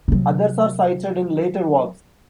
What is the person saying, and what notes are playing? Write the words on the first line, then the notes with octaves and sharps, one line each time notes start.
Others are cited in later works.
C3 F#3